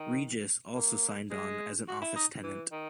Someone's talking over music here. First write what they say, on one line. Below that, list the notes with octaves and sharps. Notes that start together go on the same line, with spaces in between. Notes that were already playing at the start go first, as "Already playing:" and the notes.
Regus also signed on as an office tenant.
Already playing: D#3
A#3
G#3
F#4
E4
D#4
E3
D#3